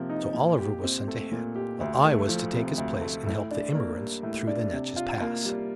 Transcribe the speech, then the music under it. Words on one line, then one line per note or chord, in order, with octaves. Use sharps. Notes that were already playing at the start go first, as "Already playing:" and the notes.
So Oliver was sent ahead, while I was to take his place and help the immigrants through the Natchess Pass.
Already playing: C3 F3 A#3
D#4
A#2
G4
C4
A3
A#2
G4
D2
A3
F3
C3
D2
A3
A2
D4
A#3
G3
A2
D4
C3
F4
A#3
G3